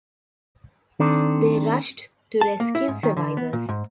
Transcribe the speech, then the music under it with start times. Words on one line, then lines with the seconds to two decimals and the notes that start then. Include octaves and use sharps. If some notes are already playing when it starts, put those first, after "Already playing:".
They rushed to rescue survivors.
1.00 D#3 C4 D4 A4 D5
2.41 A5
2.60 A#3
2.75 E4
2.88 G#2
3.03 D#3
3.17 D3
3.37 B3
3.53 A#2
3.69 G#2